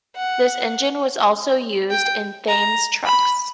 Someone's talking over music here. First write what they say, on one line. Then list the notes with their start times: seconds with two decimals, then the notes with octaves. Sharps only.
This engine was also used in Thames trucks.
0.16 F#5
1.91 G5
2.48 A#5
3.06 B5